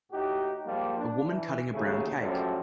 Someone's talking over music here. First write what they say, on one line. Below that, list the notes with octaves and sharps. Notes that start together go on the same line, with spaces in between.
A woman cutting a brown cake.
A2 D#4 F#4 G4
G#2 F3 G3 A#3
D4
E3
D#2 C#3 F#3 A3 G#4
F#2 F3 G3 A3 D4